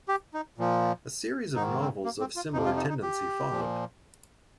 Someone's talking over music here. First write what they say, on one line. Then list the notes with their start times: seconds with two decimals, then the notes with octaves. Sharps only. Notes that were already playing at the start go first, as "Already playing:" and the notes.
A series of novels of similar tendency followed.
0.08 G4
0.34 D#4
0.58 A#2 F3
1.55 G#2 D#4
1.60 D#3
1.80 C4
2.05 A#3
2.20 C4
2.36 F4
2.52 F2 C3 F3 D#4
2.65 F4
2.77 D#4
2.89 D#4
3.02 G4
3.50 A#2 F3